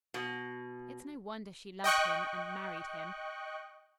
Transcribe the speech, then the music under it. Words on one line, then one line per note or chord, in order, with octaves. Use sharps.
"It's no wonder she loved him and--married him."
B2
D#5 G5 C#6 F#6